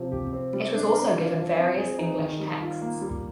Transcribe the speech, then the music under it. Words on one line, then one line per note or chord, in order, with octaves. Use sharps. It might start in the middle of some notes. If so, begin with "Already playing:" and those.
It was also given various English texts.
Already playing: C3 F3
G4
C4
G3
D4
A#4
F4
F3
C4
G#4
D#4
D#3
G3
F4
A#3
G3